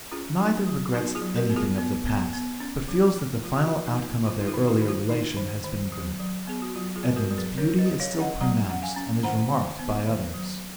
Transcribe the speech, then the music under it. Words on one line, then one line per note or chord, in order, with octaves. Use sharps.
Neither regrets anything of the past, but feels that the final outcome of their earlier relation has been good. Edmund's beauty is still pronounced, and is remarked by others.
C#4 F4 G#4
F#3 D#4 F#4
F#3 F4
B3 D#4 F#4
F4 G#4
F#3
F#4 A#4
B3
F4 G#4
B3
B3
B3
C#4
F3
F3
F3 F4
F#4
F4
F3
D#4
A#3
F4
D#3 F4
D#4
F4
D#3
D#4 F#4
D#3
F4
D#3 D#4
D#3
D#3
F#3
F#3
B3 G#4
F#4
F#3 F4
F4 G#4
B3
B4
F#4 A#4
F#3
G#4 B4
C#4 A#4 C#5
B4 D#5
F#3
C#5 F5
C#4
D#5 F#5
F#3 F#5 A#5
C#4 F#5
F5 G#5
C#4
D#3 F#5 A#5
D#3
B3
D#3
F#3